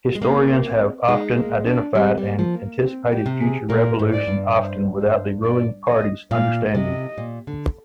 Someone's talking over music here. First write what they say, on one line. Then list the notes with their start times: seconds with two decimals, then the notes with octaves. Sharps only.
Historians have often identified an anticipated future revolution, often without the ruling party's understanding.
0.15 G#3
0.21 A#3 C4
0.65 C4
1.08 G#3 D#4
1.37 A#3
1.66 D4
1.95 G3 C4
2.18 G3
2.25 A#3
2.39 F3
2.54 A#3
2.82 C4
3.12 G4
3.26 C3
3.41 G#4
3.69 A#2 A#4
3.99 G#2
4.13 D5
4.27 G2
4.57 C5
5.00 C5
5.44 D5
5.87 D#5
6.31 A#2 F5
6.74 C3 D#5
7.18 A#2
7.47 D3